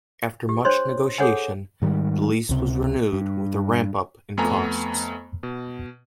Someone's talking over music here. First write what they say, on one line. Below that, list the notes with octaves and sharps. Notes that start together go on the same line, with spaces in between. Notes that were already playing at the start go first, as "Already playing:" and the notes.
After much negotiation, the lease was renewed, with a ramp up in costs.
G4
D4 C5 C#5 C6
G#4 A4 C#5 F#5 G#5
G#2 D#3 G3
C#2 C3
G2
F2 A3 B3 G#5 A#5
B2